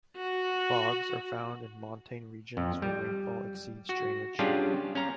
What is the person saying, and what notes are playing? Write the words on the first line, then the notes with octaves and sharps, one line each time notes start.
Bogs are found in montane regions where rainfall exceeds drainage.
F#4
F2
G3
F#4
G3 C#4 D4 F4 G4 G#4
C#4 F5 A#5